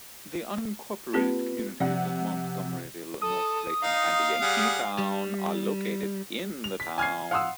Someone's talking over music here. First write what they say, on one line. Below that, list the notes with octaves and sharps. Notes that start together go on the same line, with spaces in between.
The unincorporated communities of Montgomeryville, North Clayton, and Yankeetown are located in the town.
A#3 C4 F4 G4 B4
C3 F3 D5 F#5
A4 D#6
D#4 F5
G3 G#4 F#5
G3
F7
B6
G#5 F6 G#6 C7
F5 F#5 C6 D#6 E6